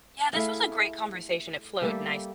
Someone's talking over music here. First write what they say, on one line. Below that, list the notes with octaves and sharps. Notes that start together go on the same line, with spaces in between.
Yeah, this was a great conversation, it flowed nice
A3 E4 G#4 F5
G3 A3 A#3 A4